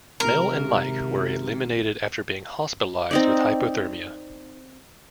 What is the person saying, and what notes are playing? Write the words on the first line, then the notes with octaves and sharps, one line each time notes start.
Mel and Mike were eliminated after being hospitalized with hypothermia.
G#1 C3 A#4
C4 D#4 D5